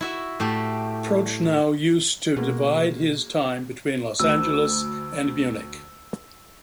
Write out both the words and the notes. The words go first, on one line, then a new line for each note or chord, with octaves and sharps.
Prochnow used to divide his time between Los Angeles and Munich.
E4 F#4 E5
A2 A3 F#4 G4
B2 G#3 A#3 F#4
D2 E6